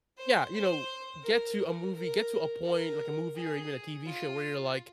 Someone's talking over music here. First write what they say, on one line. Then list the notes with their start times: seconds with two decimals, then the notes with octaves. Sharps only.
Yeah. You know, get to a movie get to a point like a movie or even a TV show where you're like,
0.17 C5
0.53 C5
1.23 A#4
1.59 A#4
1.94 A#4
2.64 A#4
3.35 G#4
4.05 F4